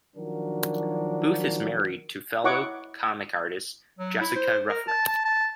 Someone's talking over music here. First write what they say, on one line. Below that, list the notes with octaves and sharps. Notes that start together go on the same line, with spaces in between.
Booth is married to fellow comic artist Jessica Ruffner.
D#3 F3 F#3 D4 F#4 A#4
E4 C#5 D#5 F#5 C#6 D6
F#3
E4
C5
A#4
A5
A5
A5